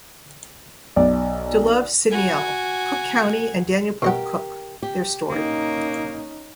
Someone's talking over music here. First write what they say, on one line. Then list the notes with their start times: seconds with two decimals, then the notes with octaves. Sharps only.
DeLove, Sidney L. Cook County and Daniel Pope Cook-their Story.
0.96 B1 D5
2.10 F#4 G#5
4.02 B2 G4 A#4 D#5 F#5
4.83 G4
5.30 A#3 C#4 D#4